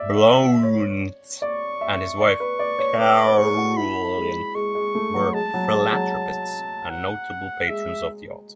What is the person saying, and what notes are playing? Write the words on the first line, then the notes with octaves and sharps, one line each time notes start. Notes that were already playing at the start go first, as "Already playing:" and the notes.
Blount and his wife Carolyn, were philanthropists and notable patrons of the arts.
Already playing: D5 E5
C#5
D5 C#6
E5
D5
B4
D5
C#5
B4 D6
C#5
G#4 C#6
F#4
E4 B5
G#3
G#3 C#6
G#3
A3
F#3
G#3 A5
F#3
G#3
F#3
F#5
G#3 E5